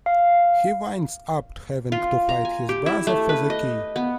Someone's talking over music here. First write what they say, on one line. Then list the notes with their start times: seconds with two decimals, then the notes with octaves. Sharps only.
He winds up having to fight his brother for the key.
0.06 F5
1.92 F4
2.29 A#5
2.45 G#5
2.69 G4
2.86 E4
3.07 A3
3.29 B4
3.50 D#5
3.96 B3